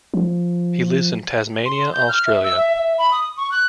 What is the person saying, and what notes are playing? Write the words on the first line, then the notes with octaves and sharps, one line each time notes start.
He lives in Tasmania, Australia.
F3
C6
G6
F6
E5
E6
E5
E5
B5
D#6
C#6
F#6